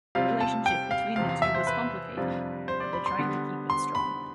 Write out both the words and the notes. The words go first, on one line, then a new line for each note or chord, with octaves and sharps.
The relationship between the two was complicated, but they're trying to keep it strong.
C3 G3 C4 F4 F5
A5
G5
F5
E2 C3 F3 C4 F5
F5
E5
C5
B4
F2 C3 G3 D4 F4
C5
D5
B5
C6
D3 G3 B3
C6
B5